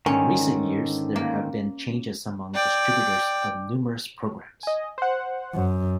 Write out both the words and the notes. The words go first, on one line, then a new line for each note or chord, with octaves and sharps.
In recent years, there have been changes among distributors of numerous programs.
G#2 D3 D#3 C#4
A#3
D5 G5
D#5 G#5
C5 F#5
F#2